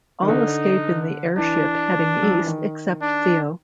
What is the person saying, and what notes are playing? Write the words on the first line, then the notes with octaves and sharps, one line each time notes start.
All escape in an airship heading east except Theo.
D#3
D3 D#4
E3 D4
F#3
F3
E3
D#3
D4